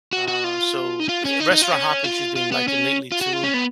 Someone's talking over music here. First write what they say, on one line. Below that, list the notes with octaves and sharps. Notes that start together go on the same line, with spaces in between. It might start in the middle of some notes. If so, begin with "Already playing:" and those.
uh, so Eh, restaurant hopping, she's been liking lately too,
F#4
F#4
F4
D#4
F4
C#4
D#4
D#4
F4
C#4
F4
F4
B3
C#4
F4
F#4
F4
C#4
B3